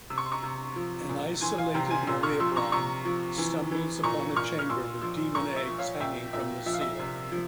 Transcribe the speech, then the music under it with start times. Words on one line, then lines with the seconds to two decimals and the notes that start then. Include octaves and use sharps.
An isolated Mariabronne stumbles upon a chamber with demon eggs hanging from the ceiling.
0.10 C3 E6
0.18 C#6
0.24 C6
0.32 A#5 C#6
0.43 C3
0.76 F3
1.09 A#2
1.41 E3 G#5 C6
1.58 F5 G#5
1.74 C3 G5 A#5
1.90 G#5 C6
2.07 A#2 C6 E6
2.23 C#6 F6
2.40 F3 C6 E6
2.56 A#5 C#6
2.72 C3 A#5 C#6
3.05 F3
3.38 E3
3.71 E3
4.03 A#2 A#5 C#6
4.36 A#2 C#6 F6
4.59 F6
4.69 A#2 C6 E6
5.01 F3 C6 E6
5.35 A#2 A#5 C#6
5.56 E5
5.67 F3
5.78 C#5 F5
6.00 A#2 E5 G5
6.33 A#2 E5
6.66 F3 E5
6.73 F5
6.81 E5
6.99 C3
7.32 F3